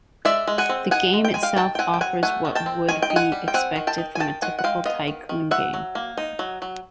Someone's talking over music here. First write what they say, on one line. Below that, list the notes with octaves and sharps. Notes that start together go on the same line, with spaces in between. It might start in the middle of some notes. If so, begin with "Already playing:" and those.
The game itself offers what would be expected from a typical tycoon game.
G#3 D5 E5
G#3
F#5 G#5
C4
D#4 F#5 G#5
G#3
G5
G#3 G#5
F5 G5
D#3 G5 A5
G5
C4 F#5 G#5
G5
F#3 F#5 G#5
A3 F#5 G#5
D#3
G5 A5
C4
D#3 G#5
G5
D#4
F#5 G#5
G3
G5
C4 F#5 G#5
D#3
G5 A5
D#4
G#5
D#3 G5 A5
D#3 F#5 G#5
F#5
G#3 F5 G5
B3 D#5 F5
D#3
D#3
F#3 E5 F#5
F#3
A#3
D#4
F#3
F#3